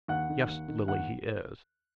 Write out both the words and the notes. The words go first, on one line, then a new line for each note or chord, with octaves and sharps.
Yes, Lily, he is.
D#2 F#5
D#3
D#2
D#3
D#2 F#5